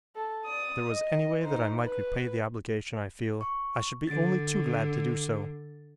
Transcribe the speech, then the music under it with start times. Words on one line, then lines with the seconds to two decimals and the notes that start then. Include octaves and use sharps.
If there was any way that I might repay the obligation I feel, I should be only too glad to do so.
0.16 A4
0.45 D5 D#6
0.91 D#5
1.42 D#4 C5
1.84 B4
3.41 C#6
4.07 D3 A6 D7